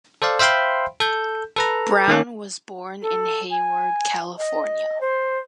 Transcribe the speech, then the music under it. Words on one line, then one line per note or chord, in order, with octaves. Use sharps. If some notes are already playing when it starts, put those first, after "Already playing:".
Brown was born in Hayward, California.
A4 C5 D5 F5
C5 E5 F5 G5 B5 C6
A4 G6
A4 B4 A#5
D#3 A#3 C#4
A4
G#5
D#5
C5